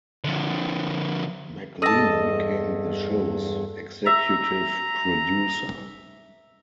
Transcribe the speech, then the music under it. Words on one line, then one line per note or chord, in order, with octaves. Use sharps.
McLean became the show's executive producer.
D3 F3
E2 G2 A4 D#5 A5 E6 A#6
E5 A#5